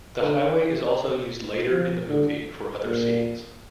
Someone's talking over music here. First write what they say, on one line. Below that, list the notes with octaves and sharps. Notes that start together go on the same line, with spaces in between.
The highway is also used later in the movie for other scenes.
D3
E3
F3
D3
A#2